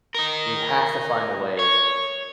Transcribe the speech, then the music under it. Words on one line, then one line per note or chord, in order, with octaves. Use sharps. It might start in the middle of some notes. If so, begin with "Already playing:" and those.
we have to find a way
A#4 D#5
C#5